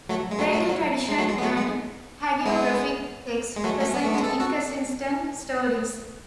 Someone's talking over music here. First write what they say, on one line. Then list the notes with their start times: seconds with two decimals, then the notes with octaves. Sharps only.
Later tradition and hagiographic texts present inconsistent stories.
0.09 F#3 A3
0.31 G#3
0.39 F#3 A3
0.53 F#3 A3
0.68 F#3
1.08 G#3
1.18 F#3 A3
1.28 G#3
1.38 B3
1.42 F#3 A3
1.57 G#3
2.46 G#3 B3
3.56 G#3
3.64 F#3 A3
3.79 F#3 A3
3.94 B3
4.04 A3
4.14 G#3 B3
4.24 A4
4.40 F#4 A4